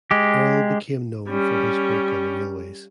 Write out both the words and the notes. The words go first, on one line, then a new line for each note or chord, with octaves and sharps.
Earle became known for his work on the railways.
G#3 G4
G3 C#4